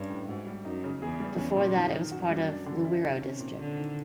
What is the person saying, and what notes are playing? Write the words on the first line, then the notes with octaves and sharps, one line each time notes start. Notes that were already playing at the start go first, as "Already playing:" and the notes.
Before that, it was part of Luweero District.
Already playing: G2 G3 C#4
A2
G#2 F#4
G3
F#2 D#4
C#3
E2 G#4
G3
E2 C#4
A#2
F2 D#3
D#3
F#2 F#4
G3
D4
D3
E4
D#3
C3 C#4
A#2
D3 C4
D#3